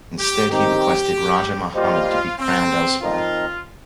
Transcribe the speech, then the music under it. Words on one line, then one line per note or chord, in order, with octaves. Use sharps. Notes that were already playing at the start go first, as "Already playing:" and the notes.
Instead, he requested Raja Muhammad to be crowned elsewhere.
G4
D#3 C4 D#4 G4
G3 A#3 F4 G4 C5 D#5
C4
F3 C4 D#4 F4 A#4 D#5